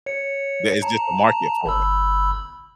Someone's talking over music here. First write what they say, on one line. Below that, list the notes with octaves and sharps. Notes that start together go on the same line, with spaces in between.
there is just a market for it.
C#5 C#7
A5 A#5
G1 B5 E6